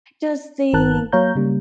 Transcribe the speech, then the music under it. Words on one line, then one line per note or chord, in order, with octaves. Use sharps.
Does the,
G1 D#3 A#4 A5 F#6
F#3 A#3 C#5 F5 A#5 G6
C#3 G3 A#3